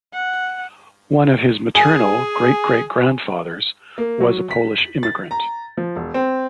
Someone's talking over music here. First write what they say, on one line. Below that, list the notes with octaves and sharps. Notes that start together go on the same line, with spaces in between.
One of his maternal great-great-grandfathers was a Polish immigrant.
F#5
G#4 G#5
A#3
F#3
B6
F#7
A6
A#5
F3
E1
C4